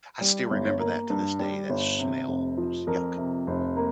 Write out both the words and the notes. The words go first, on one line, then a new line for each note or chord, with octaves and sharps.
I still remember that to this day, that smell was yuck.
G3
G1
C#5
A#3
G2
G3
G1
C3
F1
F3
F2 A#4
C3
F1
A#3